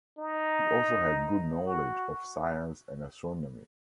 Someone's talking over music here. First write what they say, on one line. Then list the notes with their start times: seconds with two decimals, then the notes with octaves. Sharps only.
He also had good knowledge of science and astronomy.
0.18 D#4
1.66 F#4